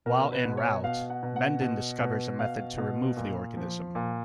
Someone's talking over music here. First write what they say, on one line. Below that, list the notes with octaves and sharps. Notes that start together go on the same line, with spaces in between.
While en route, Mendon discovers a method to remove the organism.
B2 A#4
B4
B2
C#5
B2 F5
F#5
B2
F#5
B2
B2
B2 F5
B2
A#2
F3
A#2